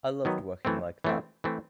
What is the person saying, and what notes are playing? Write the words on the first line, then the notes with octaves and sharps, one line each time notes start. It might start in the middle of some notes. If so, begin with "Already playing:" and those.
I loved working like that.
D#3 F#3 B3
E3 A3 C4
E3 A3 C4
E3 A3 C4